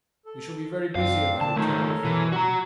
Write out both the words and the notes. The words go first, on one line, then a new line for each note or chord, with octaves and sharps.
We shall be very busy at the hotel before long.'
A4
F#2 C4 D4 F5
D3 A5
C#2 D#3 A3 A4 A#4 C#5
B2 E3
F#4 A#5